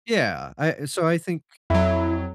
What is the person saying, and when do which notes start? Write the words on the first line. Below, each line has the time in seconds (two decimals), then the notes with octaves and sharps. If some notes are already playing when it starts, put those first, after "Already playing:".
Yeah. I so I think
1.70 F2 F#3 E4